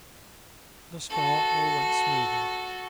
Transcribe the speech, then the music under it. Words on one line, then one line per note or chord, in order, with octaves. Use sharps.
Thus far all went smoothly.
F#4 A4